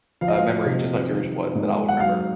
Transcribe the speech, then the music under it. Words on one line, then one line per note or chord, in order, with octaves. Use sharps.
uh, memory just like yours was that I'll remember.
F3 F5
D#5
F5
C3
D#3
G#2
F#5
F#3 F5